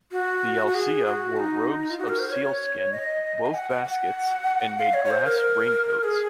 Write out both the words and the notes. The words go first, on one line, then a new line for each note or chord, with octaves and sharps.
The Alsea wore robes of seal skin, wove baskets and made grass raincoats.
F#4
F#4
G#4
F#4
D#4
F4
F#4
A#4
C5
C#5
D#5
G#5
F#5
F#5
F#5
F5
C#5
C#5
C5
A#4
G#4